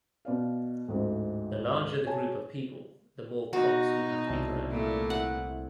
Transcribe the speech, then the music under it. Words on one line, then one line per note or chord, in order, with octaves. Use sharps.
The larger the group of people, the more crops would have to be grown.
B2 D5 F5
A1 D2 G#2
G#4 C#5 G#5 A5
B2 D#4 F#4
C2 A5
A#2 A3 E4
F#5